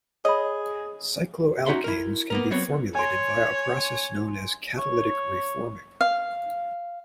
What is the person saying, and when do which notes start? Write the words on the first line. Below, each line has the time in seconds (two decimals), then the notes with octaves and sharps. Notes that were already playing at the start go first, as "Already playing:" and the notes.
Cycloalkanes can be formulated via a process known as catalytic reforming.
0.25 G#4 C#5 D#5 B5
1.66 C#4 D#4 F#4 E5 A#5 C6
1.84 E4 A#4
2.30 A#3 B3 A#4
2.51 F#3 B3 C4 C5 C#5
2.95 C#5 G#5 C6
4.78 C#5
6.01 F5